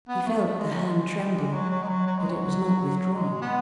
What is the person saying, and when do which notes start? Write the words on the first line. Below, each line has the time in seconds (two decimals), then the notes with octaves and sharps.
He felt the hand tremble; but it was not withdrawn.
0.08 B3
0.22 B3
0.27 A3
0.45 A3
0.59 G#3
0.72 F#3
0.86 G#3
1.53 F#3
1.70 F#3
1.83 G#3
1.88 F#3
2.06 F#3
2.18 G#3
2.30 F#3
3.14 G#3
3.42 B3